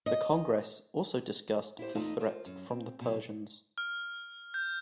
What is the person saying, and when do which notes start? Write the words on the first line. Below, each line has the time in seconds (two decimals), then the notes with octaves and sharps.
The Congress also discussed the threat from the Persians.
0.06 D#5
1.79 E4 G4 C5
1.94 E2 A3 D#4 F4 D#5 A5
2.19 F4 A#4 C5
2.46 F#2
2.70 C4
3.01 B2 F#3
3.78 F6
4.54 G6